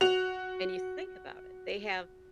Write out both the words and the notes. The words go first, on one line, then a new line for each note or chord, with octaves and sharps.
and you think about it, they have
F#4 F7